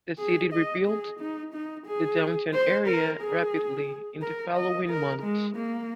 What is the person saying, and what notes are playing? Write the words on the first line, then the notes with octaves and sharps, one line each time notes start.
The city rebuilt the downtown area rapidly in the following months.
G#4
D#5
G#4
D#4
D#4
G#4
C5
A#4
G#4
A#4
D#5
A#4
G#3
A#3